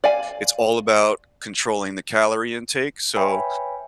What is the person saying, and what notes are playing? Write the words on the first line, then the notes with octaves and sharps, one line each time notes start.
It's all about controlling the calorie intake, so
D5 F5 G#5
B4 C#5 E5 G5 G#5 B5